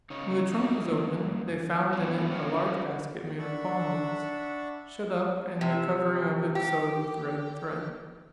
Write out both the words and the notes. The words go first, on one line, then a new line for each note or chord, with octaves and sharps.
When the trunk was opened, they found in it a large basket made of palm-leaves, shut up, and the covering of it sewed with red thread.
C#3 D#4 C#5
F#2 A#3 D#4
E3 A3 B3 C4 D4 F#4
C#4 F4 F#4 A#4 C#5
D4 E5 F#5 A5 B5 C#6
C3
G4